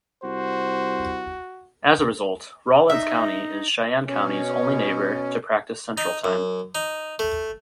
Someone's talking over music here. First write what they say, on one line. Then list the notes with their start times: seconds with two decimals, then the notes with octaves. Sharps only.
As a result, Rawlins County is Cheyenne County's only neighbor to practice Central Time.
0.24 C2 F#4 C5
2.90 D#4 E5
4.07 B2 C#4
5.98 D#4
6.24 F#2
6.75 D#4
7.19 A3